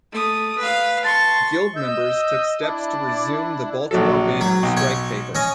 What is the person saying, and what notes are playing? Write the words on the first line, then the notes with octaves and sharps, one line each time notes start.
Guild members took steps to resume the "Baltimore Banner" strike paper.
A3 D#6
B4 F5
A5 C6 C#6
D#5 E6 G6
D4 E4 D5
A#1 F#3 A4
F#3
B1
C#5
C#4 D#5